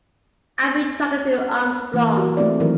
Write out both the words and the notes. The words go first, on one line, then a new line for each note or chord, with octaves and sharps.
I've been talking to Armstrong.
E3 A#3
F#4 G4
A3 C4 E4 D5
D#3 E3 F#3 D#4 A#4